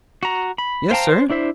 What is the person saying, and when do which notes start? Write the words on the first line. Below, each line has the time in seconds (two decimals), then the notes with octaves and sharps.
"Yes, sir."
0.23 F#4 A#5
0.58 B5
0.91 C5 F5 G5 A5 A#5
1.09 C5
1.30 D4 E4 C5 E5